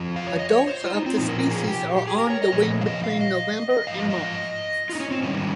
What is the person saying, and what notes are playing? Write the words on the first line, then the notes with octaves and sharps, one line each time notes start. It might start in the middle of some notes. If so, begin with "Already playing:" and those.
Adults of the species are on the wing between November and March.
Already playing: F2 F3
F5
C#5
D#5
C#5
C5
F4
D#4
C4
A#2 F3 D#4
A#4
A#4
G#4
G4
G4
G#4
A#4
C#5
D#5
A#2 F3 C#5
F5
D#5
F5
D#5
D#5
D#5
G#2 F3 F5
D#5
D#5
F4
D#4
C#4
C4
G#2 D#3 G3 C#4